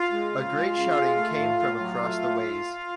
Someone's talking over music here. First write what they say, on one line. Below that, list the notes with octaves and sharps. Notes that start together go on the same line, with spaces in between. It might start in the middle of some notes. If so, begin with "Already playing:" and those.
A great shouting came from across the ways.
Already playing: F4 F5
G#3
C#3
G#3
C#3
G#3
A3
A2
A2
F#3
A3
A2